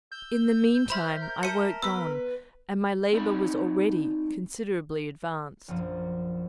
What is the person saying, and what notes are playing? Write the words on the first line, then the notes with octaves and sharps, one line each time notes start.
In the mean time I worked on, and my labour was already considerably advanced.
E6 G6
C5 E5 B5 C6 F6
A#4
E5 A5 C6 C#7 D#7
B3 B4 C6 E6 B6
C4 D#4 E4 F#4 D5 B5
A#1 F#2 F3